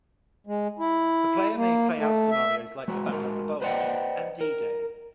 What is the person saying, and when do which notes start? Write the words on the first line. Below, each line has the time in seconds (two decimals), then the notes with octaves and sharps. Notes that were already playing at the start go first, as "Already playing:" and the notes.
The player may play out scenarios like the Battle of the Bulge and D-Day.
0.47 G#3
0.79 E4
1.55 A#3
1.97 A3
2.31 E5
2.88 G#3 F#4 B4
3.09 G#3 F#4 A#4
3.62 B4 C5 D5 D#5 F#5 G5
4.41 A#4